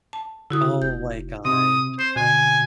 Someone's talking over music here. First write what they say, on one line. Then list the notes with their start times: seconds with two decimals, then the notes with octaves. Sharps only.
Oh my gosh.
0.13 A5
0.50 D3 E4 F#4 D#6
0.82 F1 G6
1.45 C3 C4 D#6
1.99 C5 C6
2.16 B2 D3 G#5